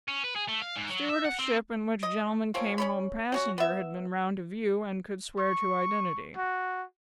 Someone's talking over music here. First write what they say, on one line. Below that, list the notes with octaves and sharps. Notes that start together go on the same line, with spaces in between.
Steward of ship in which gentleman came home passenger, had been round to view, and could swear to identity.
C#4
B4
G#4
A3
F5
G#2
F#3
E5
F#5
C4
D#5
F3 A#3 C4 C#4
C#4 C#5 B5
F#3 C#4 F#4
B3 E5
C#6
F#4